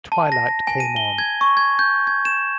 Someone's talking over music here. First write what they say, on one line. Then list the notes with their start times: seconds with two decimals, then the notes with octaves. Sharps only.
Twilight came on.
0.12 A5
0.32 A#6
0.67 G#5
0.80 D#7
0.96 G7
1.18 G#6
1.41 C#6
1.57 G#6
1.79 G6
2.07 G#6
2.25 E7